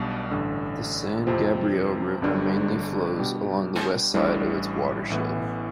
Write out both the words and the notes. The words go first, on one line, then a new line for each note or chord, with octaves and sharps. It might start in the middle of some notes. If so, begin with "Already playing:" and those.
The San Gabriel River mainly flows along the west side of its watershed.
Already playing: B1 B2 G3 D4
A1 G2 D3
F2 C3 F3 C4
G1 G2 D3 G3 D4
B2 G3 D4 G4
A1 A2 E3 G3 D4
A1 A2 E3 B3